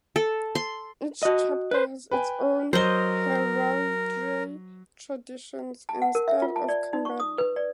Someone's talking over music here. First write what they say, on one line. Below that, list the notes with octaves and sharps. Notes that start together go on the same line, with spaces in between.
Each Chapter has its own heraldry, traditions, and style of combat.
A4
C6
F#4 D#5
B4 C5
B4 G5 G#5
F#3 A#4 C5 D#5 G7
A5
F#5
A#4
E5
F4
A5
D5
D#4
C#6
D#6
B4
D5